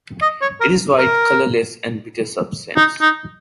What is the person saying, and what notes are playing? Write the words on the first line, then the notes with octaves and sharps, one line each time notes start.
It is a white, colorless and bitter substance.
D#5
C#5
A#4
A#4
D#4
D#4